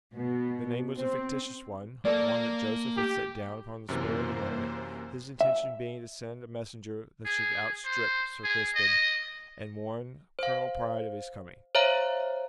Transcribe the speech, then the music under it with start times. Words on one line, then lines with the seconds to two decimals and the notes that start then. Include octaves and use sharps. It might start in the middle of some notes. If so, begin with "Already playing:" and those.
The name was a fictitious one--one that Joseph had set down upon the spur of the moment, his intention being to send a messenger that should outstrip Sir Crispin, and warn Colonel Pride of his coming.
0.14 B2
0.97 C4
2.05 A#3 A4 D5
2.96 G4
3.89 F#2 C3 E3 A#3 C5
5.41 E5
7.25 G#4
7.85 C5
8.44 G#4
8.75 D#5
10.39 C5 F5
11.75 C5 C#5 E5 F5 A#5